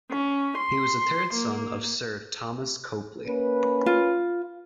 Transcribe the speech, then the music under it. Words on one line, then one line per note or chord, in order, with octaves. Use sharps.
He was the third son of Sir Thomas Copley.
C#4
C6
A#3
A#3 C#4 B4
F4